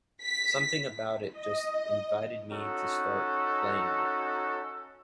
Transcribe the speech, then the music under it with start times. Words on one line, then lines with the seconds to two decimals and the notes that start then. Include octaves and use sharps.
Something about it just invited me to start playing it.
0.23 B6
1.32 D#5
2.51 C#4 D#4 F#4 A4